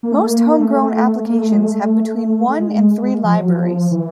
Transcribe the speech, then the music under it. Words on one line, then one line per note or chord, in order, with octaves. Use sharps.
Most homegrown applications have between one and three libraries.
A#3
A3
A#3
A3
A#3
A3
G#3
A3
A3
G#3
F3
F#3
F3
E3